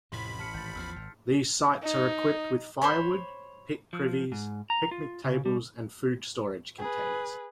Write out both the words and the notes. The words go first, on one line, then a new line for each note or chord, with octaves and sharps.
These sites are equipped with firewood, pit privies, picnic tables and food storage containers.
A1 F2 C3 B5 C6 B6
B6
A5 F6 C#7
G#1 G6 A6
E2 E3 F3 E6 F6 C7
G#1
D#4
C5 C#5 B5
F3
G#2
A#5
F4
C#3
G3
G#4 B4